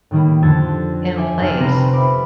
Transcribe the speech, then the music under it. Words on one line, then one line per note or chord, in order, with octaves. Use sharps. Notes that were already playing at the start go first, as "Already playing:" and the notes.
in place
A2 D#3 G3 A#3
F2 D3 A4 E6 G#6 A6
E5 G#5 D6 E6
F1 A4 F6
C3 G3 C4 B4 C5 A#6
E5 B5 D6